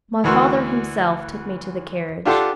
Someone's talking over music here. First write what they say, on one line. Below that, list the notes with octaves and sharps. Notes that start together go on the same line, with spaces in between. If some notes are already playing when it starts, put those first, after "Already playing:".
My father himself took me to the carriage.
D2 E3 F#4 A#4 C6 E6
D4 F4 G4 A4 F#5 C6